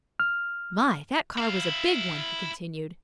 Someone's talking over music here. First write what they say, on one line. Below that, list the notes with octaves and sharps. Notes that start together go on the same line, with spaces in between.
"My, that car was a big one," he continued.
F6
E4 F5